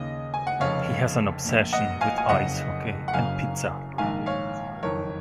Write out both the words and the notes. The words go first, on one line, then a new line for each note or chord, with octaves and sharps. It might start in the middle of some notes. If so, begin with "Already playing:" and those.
He has an obsession with ice hockey and pizza.
Already playing: D#2 C#3 D#5
G#5
F#5
F1 F2 C#3 C#5 F5
A#1 A#2
D#5 F#5
F5 G#5
G#5
F#1 F2 C#3 D#5 F#5
F#5
F#1 F#2 C#3 F5 G#5
A#1 G#2 D#3 F5 G#5
C#5 F5
F#1 F2 D#3 A#4 C#5